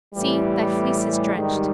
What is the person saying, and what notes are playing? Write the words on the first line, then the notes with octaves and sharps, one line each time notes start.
See, thy fleece is drenched.
A2 E3 G3
G#2 D#3 G3